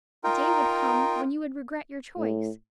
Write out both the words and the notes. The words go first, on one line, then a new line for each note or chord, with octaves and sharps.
The day would come when you would regret your choice.
D#4 F4 A#4 G5
A2